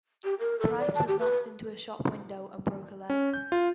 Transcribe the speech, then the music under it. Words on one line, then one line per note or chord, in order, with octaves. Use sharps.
Pryce was knocked into a shop window and broke a leg.
G4
A#4
A4
D5
A5
G4
B4
C#4
G6
F4